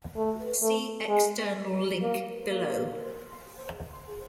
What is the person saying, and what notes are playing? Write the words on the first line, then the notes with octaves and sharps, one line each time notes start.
See external link below.
A3
A3
G#3
A#3
A#3